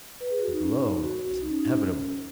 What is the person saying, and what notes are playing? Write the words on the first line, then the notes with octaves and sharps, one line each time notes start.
The globe is inevitable.
B4
G#4
F#4
D#4
C#4
D#4
F#4
F#4
D#4
C#4
D#4
C#4
C#4